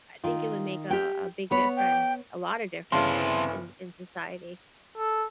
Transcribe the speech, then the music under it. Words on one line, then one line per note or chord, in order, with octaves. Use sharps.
I think it would make a a big difference, a lot of differences in in society.
D#3 F4
G4 G5
B3 C#5 B5
G5
G1 C#3 E3 C4 E4 F5 A5 C6
A4